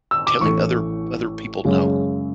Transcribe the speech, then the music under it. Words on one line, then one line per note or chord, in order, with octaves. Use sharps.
telling other other people no.
E6
D6
A1 A2 E3 A3 C#6
F#2 C#3 G#3